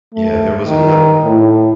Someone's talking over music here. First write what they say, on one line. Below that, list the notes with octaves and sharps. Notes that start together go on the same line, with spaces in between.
yeah, there was another
A3
D#3
A2